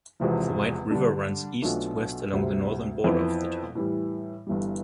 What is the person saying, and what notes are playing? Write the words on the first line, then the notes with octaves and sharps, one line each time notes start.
The White River runs East to West along the northern border of the Town.
E1 E2 C3 F3
D3 G3 D4
B1 B2 A3 D4 F4
D2 C3 G3
F2 E3 B3 E4
A2 E3 G3
G1 G2 E3 G3